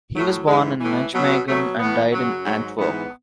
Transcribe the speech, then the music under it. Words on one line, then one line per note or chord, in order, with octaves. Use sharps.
He was born in Nijmegen and died in Antwerp.
A2 F#3 A3
G#2 E3 G#3
A2 E3
B2 F#3
B2 F#3 A3
A2 E3 B3
F#2 C#3 F#3
G#2 F#3
G#2 E3 B3